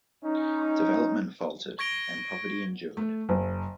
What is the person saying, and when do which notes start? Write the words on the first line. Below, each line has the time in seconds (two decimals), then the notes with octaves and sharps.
Development faltered, and poverty endured.
0.24 C#4 D#4
1.79 C#6 G#6 A#6 D7 G7
2.97 A3
3.29 F#1